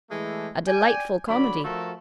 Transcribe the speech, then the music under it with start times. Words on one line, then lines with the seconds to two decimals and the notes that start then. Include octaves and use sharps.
A delightful comedy.
0.10 E3 G#3 A3
0.67 D5 G5 G#5
1.28 D3 F#3 D5 B5
1.64 F3 A3 F#4 A4 A#4